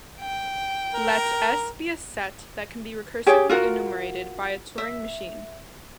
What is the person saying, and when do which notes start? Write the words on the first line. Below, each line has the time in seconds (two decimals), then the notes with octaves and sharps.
Let S be a set that can be recursively enumerated by a Turing machine.
0.20 G5
0.95 A#4
3.27 G4 G#4 C#5 G5
3.49 F4 F#4 A#4
4.78 E5